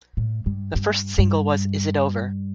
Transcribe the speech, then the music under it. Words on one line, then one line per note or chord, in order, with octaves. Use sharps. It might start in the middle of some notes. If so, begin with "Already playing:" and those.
The first single was Is It Over?
A2
G2
G2
G2